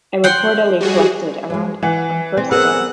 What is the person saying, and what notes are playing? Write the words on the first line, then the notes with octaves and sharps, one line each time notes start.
It reportedly collected around on first day.
F#5 G5 C6
G3 F#4 G#4
F#3 G#3
E3 F#5
C4
B3 G#4 A#4 C5 F#5 E6